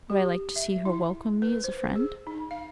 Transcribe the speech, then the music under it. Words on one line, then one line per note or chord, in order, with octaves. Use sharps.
Would I like to see her welcome me as a friend?
G4
E5
E4
B4
C5
G#4
D#4
F5